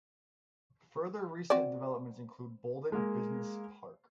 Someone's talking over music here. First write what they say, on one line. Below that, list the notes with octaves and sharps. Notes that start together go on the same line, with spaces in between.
Further recent developments include Boldon Business Park.
C4 F#4 D5
G#3 A#3